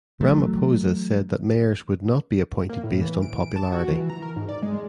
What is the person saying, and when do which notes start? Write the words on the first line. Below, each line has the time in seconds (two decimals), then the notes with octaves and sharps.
Ramaphosa said that mayors would not be appointed based on popularity.
0.21 E3 F#3 A3
2.69 A#3
2.83 A2
3.01 E3
3.22 D7
3.56 A5
3.72 F#4
3.91 E3
4.10 A#5
4.22 A#4
4.36 G#2
4.49 D5
4.62 G#3